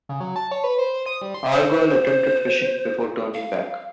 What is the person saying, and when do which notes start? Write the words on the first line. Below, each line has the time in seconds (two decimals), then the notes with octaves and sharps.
Argall attempted fishing before turning back.
0.09 C#3
0.20 F#3
0.36 A5
0.51 C#5
0.64 B4
0.79 C5
0.94 C5
1.06 D#6
1.22 G3
1.34 C6
1.52 C5
3.34 F5